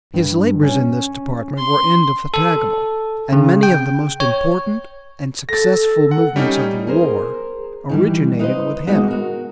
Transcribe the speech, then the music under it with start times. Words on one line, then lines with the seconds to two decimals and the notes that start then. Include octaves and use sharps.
His labors in this department were indefatigable, and many of the most important and successful movements of the war originated with him.
0.14 G2
0.63 C#4
1.58 C6
2.34 A4
3.32 C#3
3.63 G5
4.20 C#5
5.49 A4 A6 A#6
6.11 F#5
6.36 G3 C#4 D#4
6.87 G#4 A#4 C5
7.89 D#3 E3 G3
8.39 D#4 B4 C5 D#5
8.87 G#3 B3 D#4 F#4
9.08 F#4 A#4